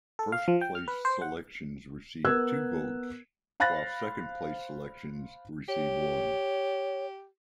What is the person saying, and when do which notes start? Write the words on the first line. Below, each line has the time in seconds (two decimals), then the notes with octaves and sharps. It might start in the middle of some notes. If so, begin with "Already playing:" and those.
First place selections receive two votes, while second place selections receive one.
0.19 A4
0.32 F5
0.48 F3
0.61 G5
0.75 F6
0.88 B4
1.05 C5
1.22 F#5
2.25 B3 A#4 E6 F#6 G#6
3.60 C5 F5 B5 F#6 A6 A#6
5.68 G4 C#5